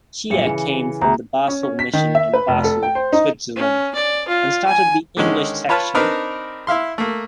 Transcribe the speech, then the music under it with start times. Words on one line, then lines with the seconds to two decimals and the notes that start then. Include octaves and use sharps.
Shie came from the Basel Mission in Basel, Switzerland and started the English section.
0.30 B1 G2 A#2 E5 C#7
0.45 C#3 E3
1.01 D2 G#4 E5 A#5
1.48 C#4
1.63 C#4
1.79 B6
1.93 D#3
2.15 E5
2.33 B4
2.48 F1
2.64 A4
2.83 G5
2.95 C5
3.13 D#4
3.56 C#4
3.94 D5
4.28 F4
4.66 G#5
5.17 D3 D#3 G#3 C#4
5.69 F4 B4 C#5 A5 B5 F6
5.95 C4 D4 D#4 A#4 B4
6.67 E4 E5 F5 C6
6.98 A3 A#3